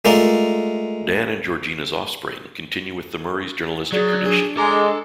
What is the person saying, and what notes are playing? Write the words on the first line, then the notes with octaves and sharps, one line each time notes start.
Dan and Georgina's offspring continue with the Murray's journalistic tradition.
G#3 A3 F4 A#4 D5
F#3 G#4 D5
D4 G#4
G#3 A4 A#5 D6